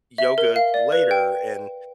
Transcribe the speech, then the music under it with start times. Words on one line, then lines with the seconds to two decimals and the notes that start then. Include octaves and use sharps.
yoga later and
0.18 E5
0.38 A#4
0.56 F5
0.74 D5
0.92 B4
1.11 G5